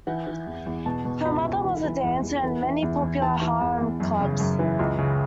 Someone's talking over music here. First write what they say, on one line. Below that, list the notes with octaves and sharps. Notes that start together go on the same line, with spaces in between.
Her mother was a dancer in many popular Harlem clubs.
E3 F#5
E3
E2
E2
B2 A5
B2
C#2 B5
C#2
E3
E3
E2
E2
E3
E3
E2
E2
E3 A5
E3
E2
E2
F#2
C#3
F#2
E3
C#2
C#3